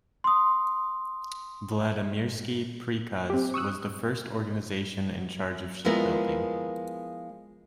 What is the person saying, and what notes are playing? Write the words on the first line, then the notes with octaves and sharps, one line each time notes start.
Vladimirsky Prikaz was the first organization in charge of shipbuilding.
C6 D#6
C4 G4
C#6 D#6 E6 F#6
F3 G#3 B3 E4 A#4